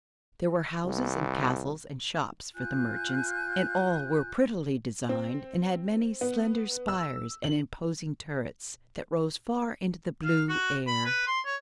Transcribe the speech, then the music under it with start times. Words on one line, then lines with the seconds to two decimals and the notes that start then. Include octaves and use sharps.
There were houses and castles and shops for the merchants and all were prettily designed and had many slender spires and imposing turrets that rose far into the blue air.
0.85 C2
2.55 F4 G#5 F#6 G6
5.09 C4
6.21 B3
6.88 E6
7.44 F#7
10.24 F5
10.49 F#4
10.87 B5
11.05 B4
11.27 C6
11.46 C#5